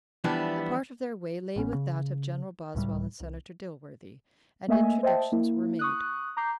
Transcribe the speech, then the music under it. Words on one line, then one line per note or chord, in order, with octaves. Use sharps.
A part of their way lay with that of General Boswell and Senator Dilworthy, and introductions were made.
E3 F3 G3 B3 D4 E4
A1 B3 C#4
C#3
D1 C#2 A2 G3
C2
A3 A#3 D#5 E5 G#5
C5 D#5 E5 G5 A5
A#3 E4
C#6 D#6 F#6
A#5 D6 G6 C7